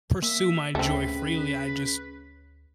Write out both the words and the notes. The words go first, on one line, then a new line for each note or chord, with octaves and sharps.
pursue my joy freely, I just
A#3 E5
D2 C#3 A3 C4 B4